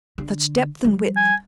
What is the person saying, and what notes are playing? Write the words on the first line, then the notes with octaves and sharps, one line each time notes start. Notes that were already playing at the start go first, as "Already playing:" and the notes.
Such depth and width!
D3
F3 G3
G#5